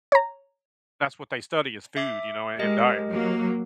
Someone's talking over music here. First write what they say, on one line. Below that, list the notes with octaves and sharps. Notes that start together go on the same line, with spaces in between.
that's what they study is food, you know, and, and diet.
C#5 A#5
E5 D6
G#3 G4 A#4 D#5
F#3 A#3